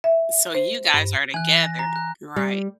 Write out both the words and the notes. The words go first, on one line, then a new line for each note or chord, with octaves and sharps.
So you guys are together, right.
E5
C5
G2
E3 G#5 F#6
A#6
A#5
F#6
G3